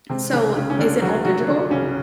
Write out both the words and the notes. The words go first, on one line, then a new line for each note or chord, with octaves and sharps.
Eh, so, is it all digital?
C3 G#3 C4
C2 C#3 C#4
C#3 G#3 C#4
C#4
C2 D3 D4
F#3 G#3 F#4
C2 F#3 F#4
D3 F3 D4
C2 C#3 C#4